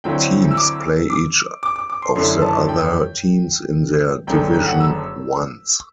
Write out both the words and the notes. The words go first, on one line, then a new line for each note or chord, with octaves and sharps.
Teams play each of the other teams in their division once.
D2 D3 F#3 C4 E4 G5
E6
D6
D6
D6
D6
D6
C6
F#2 D3 A3 E4 C6
A5
G5
F#1 F#2 D3 A3 G5
G5
F#5
E6